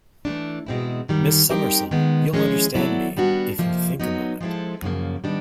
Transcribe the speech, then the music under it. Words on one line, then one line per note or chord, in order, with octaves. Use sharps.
Miss Summerson, you'll understand me, if you think a moment.
E3 A3 D4
E2 B2 G#3 C4 E4
F#2 D#3 G3
G3 C4 D#4 G4 A#4
D#3 G#3 B3
F3 G#3 C#4 E4 G#4
F#3 B3 E4 A4 D5
G3 B3 D4 F#4
F2 C3 F3 A#3
F#3 B3 D#4
F3 G#3 C4 E4 A4
F#2 C#3 F3 A#3
D#3 G3 B3 D4